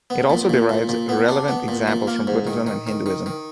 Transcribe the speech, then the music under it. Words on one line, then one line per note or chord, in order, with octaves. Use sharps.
It also derives relevant examples from Buddhism and Hinduism.
B3
A#2
A#2
A#2
A#2
B3
D4
B3
A#2
A#2
A#3
G#2
D#3
D#3
D#3
D#3
D#3